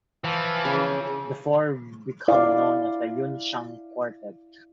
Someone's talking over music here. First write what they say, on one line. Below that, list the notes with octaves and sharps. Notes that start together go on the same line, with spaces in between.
The four become known as the "Yun Shang Quartet".
E3 F3
C#3
E4 D5 F5